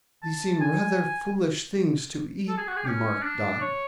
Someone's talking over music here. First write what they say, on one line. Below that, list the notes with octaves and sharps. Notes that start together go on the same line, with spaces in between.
"These seem rather foolish things to eat," remarked Dot.
A5
G#5
A4
G#4
F#4
G#4
C#4
D4
C#5